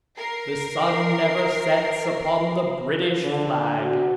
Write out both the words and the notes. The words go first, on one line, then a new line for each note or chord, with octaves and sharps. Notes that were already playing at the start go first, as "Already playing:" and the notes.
The sun never sets upon the British flag.
A#4 C7
D3
F#4